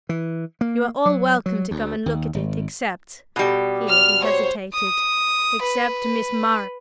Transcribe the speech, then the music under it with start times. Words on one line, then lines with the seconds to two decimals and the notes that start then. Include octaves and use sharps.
You are all welcome to come and look at it except ..." here he hesitated,--"except Miss Murray.
0.09 E3
0.61 A#3
1.05 F#3
1.46 F#3
1.71 D2
2.06 D#2
2.34 G#1
3.36 B2 G3
3.88 F6
4.24 C5 C#5
4.73 D#6
5.62 B4